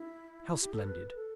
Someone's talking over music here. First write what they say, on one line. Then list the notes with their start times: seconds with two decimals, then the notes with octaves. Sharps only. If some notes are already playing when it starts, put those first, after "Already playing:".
"How splendid!"
Already playing: E4
0.51 E4
0.62 G4
0.73 A4
0.83 B4
1.15 A4